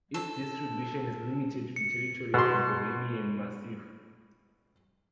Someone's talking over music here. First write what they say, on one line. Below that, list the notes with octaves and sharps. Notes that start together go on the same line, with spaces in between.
Its distribution is limited to the territory of the Bohemian Massif.
A4
C#7
B2 C6